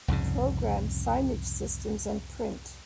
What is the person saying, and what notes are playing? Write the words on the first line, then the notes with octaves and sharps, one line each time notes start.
Programs, signage systems and print.
C2 F2 G#2 C#3